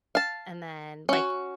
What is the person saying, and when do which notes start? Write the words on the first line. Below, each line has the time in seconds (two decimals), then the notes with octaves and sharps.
And then, like,
0.15 F5 A5
1.09 C#4 F#4